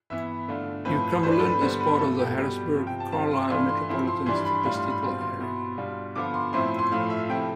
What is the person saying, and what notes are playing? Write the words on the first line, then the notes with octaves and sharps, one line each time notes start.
New Cumberland is part of the Harrisburg-Carlisle Metropolitan Statistical Area.
E3 B3 E4 E5
D3 A3 D4 F4
A2 F3 C4 B4
E3 A3 D4 C5
B4
A4
B4
D3 G3 B3 C5
B4
C3 F3 A3 A4
G4
B2 G3 B3
C3 F3 C4
G5
A5
C3 G3 C4 F4 A5
C6
E3 A3 D4 F4 C6
C6
F3 C4 E4
C6
E3 G3 D4 C6
B5
A2 G3 D4 F4 C6
C6
B5
B2 G3 C4 F4 C6
C6
B2 B3 E4
B2 G3 D4 F4
D3 F3 B3 F4 D6
C6
A2 F3 C4 E4 C6
C6
A2 F3 A3 F5
E5
C3 F3 A3 E4 G5